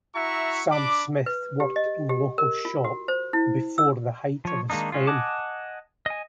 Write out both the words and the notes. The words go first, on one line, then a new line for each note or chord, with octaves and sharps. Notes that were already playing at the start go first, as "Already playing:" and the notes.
Sam Smith worked in the local shop before the height of his fame.
E4 F#4 E5 A#5 C#6
D4 B5 D6
B4
G4
D#5
G4
A#4
F4
F#4
C5
E4
E6
F3 C#5
D#3 G#3 A#3 D4 D#4
G#3 C#4 F4
D#5 F#5 G#5 A5 D6
D#5 G#5